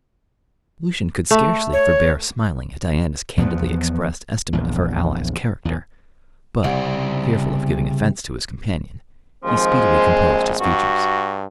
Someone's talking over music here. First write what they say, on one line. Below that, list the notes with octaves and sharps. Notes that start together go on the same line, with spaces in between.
Lucian could scarcely forbear smiling at Diana's candidly expressed estimate of her ally's character, but, fearful of giving offence to his companion, he speedily composed his features.
A3
C#5
E2 F3 A3 B3
A#1 E2
E2
C2 C#3 C5 D5
D#2 F3 G#3 C4
A#1
G2 F#4